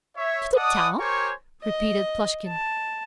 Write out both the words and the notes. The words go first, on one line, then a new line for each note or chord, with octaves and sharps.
"To the town?" repeated Plushkin.
C#5 E5
D5 D#5 F#5 A5 D#6
G4 A#4 C5 C#5 G#5 C#6
D#5
A5